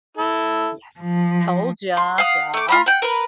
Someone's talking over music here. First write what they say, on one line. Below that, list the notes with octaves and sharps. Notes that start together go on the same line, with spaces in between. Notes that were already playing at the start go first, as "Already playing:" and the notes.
Yes. "Told ya." Yeah.
E4 A4
F3
C6
F5 F#5 D#6
A3 D6
F4 A#5 B5
F#5 G5
A#4 B4